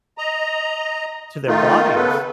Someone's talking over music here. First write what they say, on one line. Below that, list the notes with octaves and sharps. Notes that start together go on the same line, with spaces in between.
to their bodies?
D#5 A#5
D#3 A3 D#4 F4
C#3 B3 A4 B4